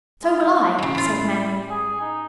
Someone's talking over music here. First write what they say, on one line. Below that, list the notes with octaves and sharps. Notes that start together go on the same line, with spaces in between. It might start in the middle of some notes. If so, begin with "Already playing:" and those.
"So will I," said Mary.
G#3
C#3 E3 E4
A2 E4 F4
G#4
D#4